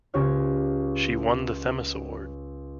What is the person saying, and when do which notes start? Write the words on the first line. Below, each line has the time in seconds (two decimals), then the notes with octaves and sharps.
She won the Themis Award.
0.14 C#2 G4 C#5 F6